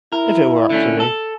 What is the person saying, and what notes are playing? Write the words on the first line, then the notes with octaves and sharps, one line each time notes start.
If it were up to me.
E4 A#4
D3 A3 C#4
A4